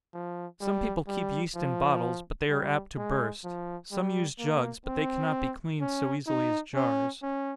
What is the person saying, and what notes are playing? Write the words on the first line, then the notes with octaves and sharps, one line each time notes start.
Some people keep yeast in bottles, but they are apt to burst--some use jugs, but they cannot be cleaned so easily as jars.
F3
G3
G3
F3
G3
G#3
F3
G3
A#3
C4
C#4
D#4
C#4
C#4